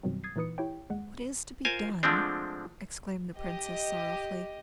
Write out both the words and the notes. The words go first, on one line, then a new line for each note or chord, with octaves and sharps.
"What is to be done?" exclaimed the Princess, sorrowfully.
F#2 B2 D#3 F#3 G3 C4
D#6 G#6 A6 C7
A#2 E3 D#4 B4 D#6 C#7
E4 G4 C#5 G5
D#2 G#3 F#5
F4 A#4 C5 F5 G#5
D3 F3 G#3 A3 C4 D4
G4 D#5